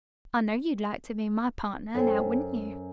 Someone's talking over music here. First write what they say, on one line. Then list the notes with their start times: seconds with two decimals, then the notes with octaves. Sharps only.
I know you'd like to be my partner, now wouldn't you?
1.95 F#2 A4 C5 G5